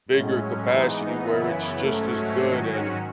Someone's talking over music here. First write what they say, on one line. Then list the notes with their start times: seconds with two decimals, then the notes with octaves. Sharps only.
bigger capacity where it's just as good, and
0.11 A2 F#3 G#3 C#4
0.68 G#2 E3 B3 D#4
1.26 F#2 C#3 E3 B3 E4
1.83 G#2 F#3 A3 C#4
2.41 G#2 D#3 F#3 C#4 F#4